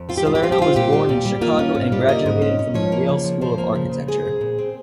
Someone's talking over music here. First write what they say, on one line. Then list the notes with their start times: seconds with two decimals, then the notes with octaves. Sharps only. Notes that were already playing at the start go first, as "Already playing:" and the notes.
Salerno was born in Chicago and graduated from the Yale School of Architecture.
Already playing: F2
0.09 C4 F4
0.18 G4
0.25 G3 F4
0.35 G4
0.42 C4 F4
0.52 G4
0.58 C4 F4
0.76 A#2 G4
0.93 G3
1.09 A#2
1.26 G3
1.41 A#3 F4
1.59 C#4
1.75 G#2
1.92 G3
2.08 A#3 D#5
2.26 G#2
2.42 C#4
2.59 C#4
2.74 F3 C#5
2.92 A#3
3.09 C#3
3.24 F3
3.41 F3 C5
3.58 A#3
3.75 C#3
3.91 C#3
4.08 G#3 G#4
4.25 C4
4.41 A#2
4.59 C4